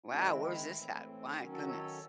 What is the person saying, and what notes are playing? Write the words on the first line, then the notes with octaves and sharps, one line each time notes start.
Wow, where's this at? My goodness.
D#3 G#3 C4 D#4 F#4
E4
E4
A2 E3 C4
E4 G#4
D#3 F#3 C#4
F#4 A4
A4 C#5